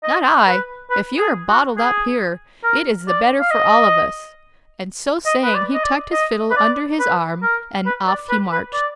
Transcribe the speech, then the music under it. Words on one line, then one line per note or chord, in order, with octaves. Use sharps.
"Not I; if you are bottled up here it is the better for all of us;" and, so saying, he tucked his fiddle under his arm and off he marched.
D#5
B4
B4
G#4
F#4
G#4
A#4
D5
F5
D#5
D#5
B4
D5
D#5
D5
D#5
B4
D5
B4
A#4
B4
D5
B4
B4
D5